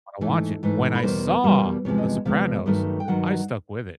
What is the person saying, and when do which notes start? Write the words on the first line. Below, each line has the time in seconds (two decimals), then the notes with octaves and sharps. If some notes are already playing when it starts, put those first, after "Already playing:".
wanna watch it. When I saw The Sopranos, I stuck with it.
0.21 G#2 E3 A3
0.63 G#2 E3 A3
0.95 B4
1.03 E2 B2 G3 A#3 C5
1.44 E2 B2 G3 A#3
1.85 E2 C3 F3 G#3 C#5
1.98 D#5
2.25 E2 C3 F3 G#3 F5
2.66 G2 D#3 F#3 A3
3.00 G5
3.08 G2 D#3 F#3 F#5